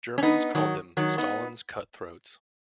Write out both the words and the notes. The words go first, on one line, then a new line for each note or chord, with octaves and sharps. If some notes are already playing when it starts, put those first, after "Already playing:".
Germans called them "Stalin's cutthroats".
C#4
B3 D#4
D#3 F#3
D#3 F#3
B3 D#4